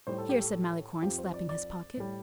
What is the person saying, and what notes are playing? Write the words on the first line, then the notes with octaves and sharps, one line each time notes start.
"Here," said Malicorne, slapping his pocket.
A2 G3 C5
A4
G4
A4
F2 F3 G4
C5
D5
D5
A2 G3